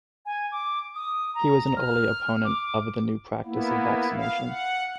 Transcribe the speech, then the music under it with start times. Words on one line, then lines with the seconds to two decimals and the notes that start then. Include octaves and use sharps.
He was an early opponent of the new practice of vaccination.
0.26 G#5
0.52 D6
0.95 D#6
1.35 A#5
1.76 F6
2.44 D6
3.45 A#3 B3 E4
4.14 F5
4.48 F#5